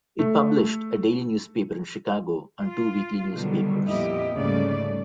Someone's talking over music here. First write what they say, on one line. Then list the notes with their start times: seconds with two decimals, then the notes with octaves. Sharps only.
It published a daily newspaper in Chicago and two weekly newspapers.
0.19 A3
2.62 F4
3.33 B2 D3 D#3 F#3 G3
3.86 F2 A#2 B3 E4 G4 D#5
4.33 D2 G#2 C#3 G3 A3 D5